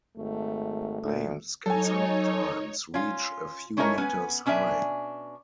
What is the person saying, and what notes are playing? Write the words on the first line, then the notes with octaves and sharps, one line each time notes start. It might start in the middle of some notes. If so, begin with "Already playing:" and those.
Flames can sometimes reach a few meters high.
G#1 A3
D2
F#3 D#4 A4 C#5 G#5
C#4 F4
A3 C#4 D#4 E4 A#4 C#5
B3 C#4 B4 G#5
B2 C#4 D4 D#5 E5 G#5